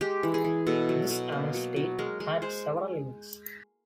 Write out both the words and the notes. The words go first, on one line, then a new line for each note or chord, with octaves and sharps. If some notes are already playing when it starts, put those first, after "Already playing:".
This amnesty had several limits.
G#3 G4
E3
G#4
E3
B2 A4
F#3
B2
A#3
F#3
F#3
G#3 A#4
G#3
G#3 C5